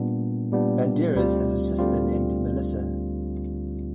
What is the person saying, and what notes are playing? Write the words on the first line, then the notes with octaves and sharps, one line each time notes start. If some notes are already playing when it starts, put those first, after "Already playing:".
Banderas has a sister named Melissa.
Already playing: A#2 G3 B3 D4
A#2 G3 B3 D4
D2 D3 G3 C4 F4
D2 D3 G3 C4 F4